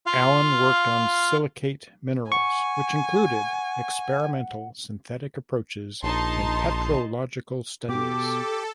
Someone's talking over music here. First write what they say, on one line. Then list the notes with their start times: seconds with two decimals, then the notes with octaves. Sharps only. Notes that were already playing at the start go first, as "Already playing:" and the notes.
Allen worked on silicate minerals which included experimental synthetic approaches in petrological studies.
0.06 F4 F5
2.32 F#5 G#5 C#6
6.03 A#1 D#4 A5 C6
7.89 B2 G4 A4 D6